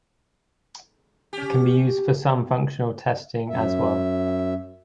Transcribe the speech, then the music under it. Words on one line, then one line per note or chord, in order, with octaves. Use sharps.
It can be used for some functional testing as well.
C#4 G4
F#2 E5